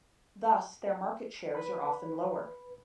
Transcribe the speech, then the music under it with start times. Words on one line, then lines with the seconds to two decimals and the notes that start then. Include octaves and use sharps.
Thus their market shares are often lower.
1.55 B4 B5